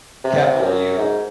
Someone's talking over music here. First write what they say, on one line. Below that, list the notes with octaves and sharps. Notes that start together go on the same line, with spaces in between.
capital U,
C3
F#2
G#2